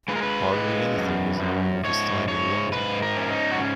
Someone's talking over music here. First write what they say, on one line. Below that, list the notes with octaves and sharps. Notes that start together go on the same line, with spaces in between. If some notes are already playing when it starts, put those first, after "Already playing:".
Hardly anything is known of his time in London.
G#3 B4
A#4
B4
G#3
F#2
F#2
G#2 C#5
G#2 C#5
G#2 B4
A#4
C#4
D#4
F#4
C#3